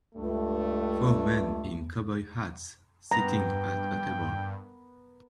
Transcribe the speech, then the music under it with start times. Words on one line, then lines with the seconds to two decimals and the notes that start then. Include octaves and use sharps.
Four men in cowboy hats sitting at a table.
0.15 C#2 G2 A3
3.11 G2 B3 A#4 G5 A#5